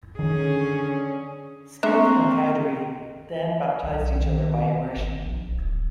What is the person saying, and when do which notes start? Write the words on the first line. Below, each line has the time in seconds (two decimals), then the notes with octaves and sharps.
Smith and Cowdery then baptized each other by immersion.
0.19 D3 D#3 C#4 G#4
1.83 A#3 C4 D4 E5 A#5 C6 C#6
3.83 B1
4.20 D#3
4.96 G#1
5.25 A#1
5.52 D1